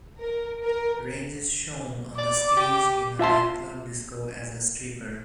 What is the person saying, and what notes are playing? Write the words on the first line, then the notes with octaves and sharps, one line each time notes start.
Range is shown on the stage in a nightclub disco as a stripper.
A#4
A#4
D5 D6
G4
F4 E5 A5 C6